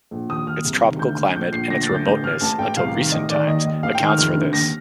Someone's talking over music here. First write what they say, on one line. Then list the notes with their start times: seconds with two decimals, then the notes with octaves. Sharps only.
Its tropical climate and its remoteness until recent times accounts for this.
0.11 A#1
0.29 D#2 D#6
0.47 D#2 F6
0.65 C2
0.82 D#3
0.99 D2 G6
1.18 D2
1.35 A#1 G6
1.52 A#1 C7
1.70 D2 A#6
1.83 A6
1.89 D2
1.94 G6
2.06 A1 G6
2.24 A1 F6
2.41 A1 A5
2.59 A1 G5
2.77 C2 F5
2.95 D#3
3.12 A1 D#5
3.30 D#3 D5
3.47 D#2 D#5
3.65 D#2
3.83 A1 F5
3.95 G5
4.00 D#3
4.06 F6
4.18 F1 F6
4.35 D3
4.53 D#2 A#6